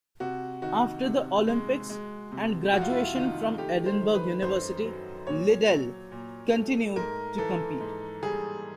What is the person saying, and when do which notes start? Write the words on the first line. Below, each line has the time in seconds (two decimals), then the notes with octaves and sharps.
After the Olympics and graduation from Edinburgh University, Liddell continued to compete.
0.20 C3 F#4
0.62 D#3 F#4
1.05 C3
1.47 G#3
1.89 G#3
2.32 C3
2.73 F2 F#4
2.81 F4
2.90 E4
2.97 F4
3.15 D#3 F4
3.58 A3 G4
3.86 C5
4.00 D#3
4.14 B4
4.42 F#2 C5
4.85 F#3
5.27 A#2 C#5
5.69 F#3
6.11 A#2
6.54 A3
6.96 G#2 A#4
7.38 E3 A4
7.81 G#2
8.23 G3 G#4